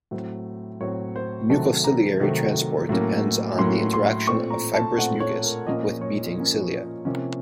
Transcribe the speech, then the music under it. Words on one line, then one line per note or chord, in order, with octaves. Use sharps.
Mucociliary transport depends on the interaction of fibrous mucus with beating cilia.
A2 F#3 C4
A2 F#3 C4 C#5
C5
C3 D#3 F#3 A3 C4 A5
A#5
C3 D#3 F#3 A3 C4
A2 F#3 A#3 C#4
A2 F#3 A#3 C#4 C6
C6
A#2 A3 C4 C#6
A#5
A5
A#2 A3 C4 F#5
C#5
A#4
A#2 F3 A#3 C#4 D#5
C#5
A#2 F3 A#3 C#4
C3 F3 A#3 C#4